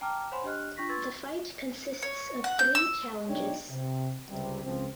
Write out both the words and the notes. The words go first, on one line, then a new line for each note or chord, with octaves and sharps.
The fight consists of three challenges.
G5 A5 A#5 D6 F6
C5 C#5 F#5 G#5 B5 C6
D4 G4 D#5 F6 F#6
D4 F4 C#6 A#6 B6
B4 C6 C#6 E6 G#6 A6
C#5
F#5
G6
E6
B1 D4 D#4 C#5 D5 G5
C3
C#2 C3 G3
C#2 F3 C4